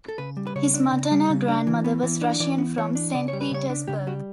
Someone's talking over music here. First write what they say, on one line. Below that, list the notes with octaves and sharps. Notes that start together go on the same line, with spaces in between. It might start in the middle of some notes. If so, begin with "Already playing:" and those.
His maternal grandmother was Russian from Saint Petersburg.
A4
C#3 B4
G3
B4
C#3 C#5
D4
C#3
G3
C#3
D4
E3
B3
E3
D4
E3 D5
B3
E3 C#5
D4
C#3 D5
C#5
G3
B4
C#3 C#5
D4
C#3 G4
G3 F#4